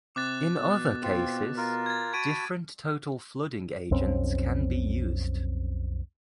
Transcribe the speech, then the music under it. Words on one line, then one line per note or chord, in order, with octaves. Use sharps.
In other cases, different total flooding agents can be used.
C3 D6 F#6 A6
B2
C4 F4
F4 A#4
G#6 A6
F#4 A5 B5 G#6 D7 D#7
B1 F2 C4 C#4